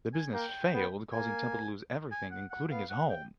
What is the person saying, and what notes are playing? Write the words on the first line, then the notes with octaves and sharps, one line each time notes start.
The business failed causing Temple to lose everything, including his home.
G#5
A#3 G5
B3
A#3 G#5
G#5
F#5
F#5
B3 F5
F#5
G5